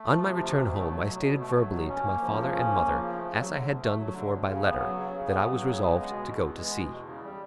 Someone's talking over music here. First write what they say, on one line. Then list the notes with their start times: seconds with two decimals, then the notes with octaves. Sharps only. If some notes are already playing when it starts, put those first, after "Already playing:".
On my return home I stated verbally to my father and mother, as I had done before by letter, that I was resolved to go to sea.
Already playing: A3
0.10 F3
0.26 C3
0.42 D2
0.59 B2
0.74 A3
0.91 F#3
1.08 B2
1.23 B2
1.40 A3
1.55 F#3
1.72 B2
1.88 C#4
2.04 A#3
2.21 F3
2.37 C#3
2.53 C#4
2.69 A#3
2.85 F3
3.02 C#3
3.17 A3
3.34 F#3
3.50 D3
3.67 D2
3.82 A3
3.98 F#3
4.15 D3
4.31 D2
4.47 C#3
4.63 B3
4.79 F#3
4.96 C#3
5.12 C#3
5.28 B3
5.44 F#3
5.61 C#3
5.76 B3
5.94 G#3
6.09 B2
6.26 E2
6.41 B3
6.57 G#3
6.74 B2
6.90 E2
7.06 C#3
7.23 G3